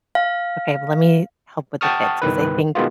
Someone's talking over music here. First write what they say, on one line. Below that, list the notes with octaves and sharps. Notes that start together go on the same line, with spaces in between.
"Okay, lemme help with the kids," 'cause I think
F5
F#5 G5 A5 C#6 D#6 F6
G1 C2 D#3 B4
B2 D#3 G#3 B3 F4